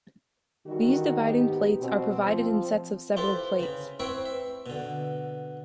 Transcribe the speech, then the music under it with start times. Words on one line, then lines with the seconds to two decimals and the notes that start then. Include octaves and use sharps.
These dividing plates are provided in sets of several plates.
0.66 D#3 E3 G3 F#4
1.17 G#2 B3 G4
1.81 B2 C4
2.27 F3
3.17 E4 F4 G4 A4 B4 C5
3.59 C#3 B5
4.00 C4 E4 B4 C#5 E5 G5
4.25 E5
4.66 B2 D3